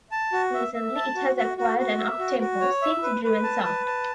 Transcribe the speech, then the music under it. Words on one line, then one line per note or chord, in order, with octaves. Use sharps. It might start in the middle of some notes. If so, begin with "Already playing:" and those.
Recently it has acquired an uptempo, synth-driven sound.
A5
F#4
E5
E5
A5
F#4
F#4
F#4
F#4
E5
F#4
F#4
C#5
E5
B4
B4
A5
B4
A5